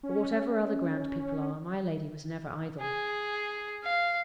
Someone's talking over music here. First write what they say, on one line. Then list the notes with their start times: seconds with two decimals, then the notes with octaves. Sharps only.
But whatever other grand people are, my lady was never idle.
0.03 C#4
2.80 G#4
3.84 F5